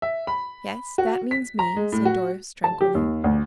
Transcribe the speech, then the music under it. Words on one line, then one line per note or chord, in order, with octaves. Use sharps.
"Yes, that means me," said Doris, tranquilly.
E5
B5
F#4
B6
A#5
G#3
A2
F#4
A5
G4
D#2
D2